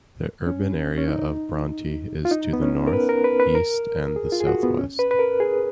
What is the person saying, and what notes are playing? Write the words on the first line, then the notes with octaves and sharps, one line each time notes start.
The urban area of Bronte is to the north, east and the southwest.
C#4
C#4
D#4
F4
D#4
B3
C#4
A#4
B4
A#4
B4
B4
A#4
G#4
F4
G#4
F#4
B3
C#4
B4
B4
A#4
G#4